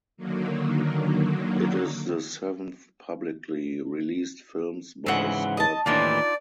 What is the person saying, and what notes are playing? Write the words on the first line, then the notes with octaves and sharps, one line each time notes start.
It is the seventh publicly released films by Scud.
D3 D#3 F#3 A#3
G#2 C#3 E3 C4 C#4 F#5
D#5 A5
D#2 A2 E3 D4 D#4 F4 D5